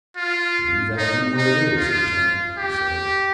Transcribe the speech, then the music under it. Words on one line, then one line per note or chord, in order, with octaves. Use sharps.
"Leave that thing where it is, Lieutenant," he said.
F4
D#4
D#4
F4
G4